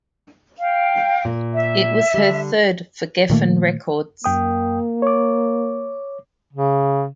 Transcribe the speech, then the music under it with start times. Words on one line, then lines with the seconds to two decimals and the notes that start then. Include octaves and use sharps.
It was her third for Geffen Records.
0.60 F5 G5
1.25 A#2
1.54 E5
2.14 D3 G3
3.30 A#2 D#3 A3 A#3
4.24 F#2 A#3 G5 D#6
5.02 C#5 D6
6.53 C#3